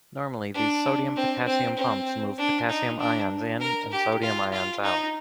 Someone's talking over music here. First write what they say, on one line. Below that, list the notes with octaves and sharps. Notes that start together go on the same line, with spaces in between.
Normally, these sodium-potassium pumps move potassium ions in and sodium ions out.
D4
C4
C4
C4
D4
D#4
D4
A#4
G4
F4
F4
D#4